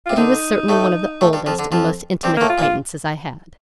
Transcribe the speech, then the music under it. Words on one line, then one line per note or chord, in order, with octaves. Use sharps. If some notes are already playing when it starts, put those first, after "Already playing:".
But he was certainly one of the oldest and most intimate acquaintances I had.
C3 F4
D3 D#4
A2 A3
A2 A3
G2 G3
F2 F3
D3
F2 F3
G2 G3 C4
A2 A3 A#3
F4
A#2 A#3
F4